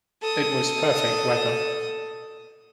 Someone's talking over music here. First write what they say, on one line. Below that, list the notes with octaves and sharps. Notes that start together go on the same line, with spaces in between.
It was perfect weather.
A4 D#6